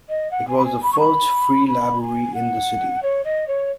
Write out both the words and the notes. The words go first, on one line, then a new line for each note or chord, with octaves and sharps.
It was the first free library in the city.
D#5
F#5
G#5
B5
G#5
B5
C#6
B5
B5
G#5
F#5
C#5
D#5
C#5